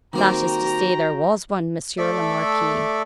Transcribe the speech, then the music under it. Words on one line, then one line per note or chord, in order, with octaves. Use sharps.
"That is to say there was one, Monsieur le Marquis."
D#3 G3 A#3 C4 F#4 G5 A#5
A3 A4 D5 E5